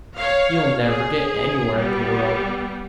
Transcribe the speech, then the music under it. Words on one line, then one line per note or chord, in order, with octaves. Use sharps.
You'll never get anywhere in the world.
C#5 F5
G#4
G3 B3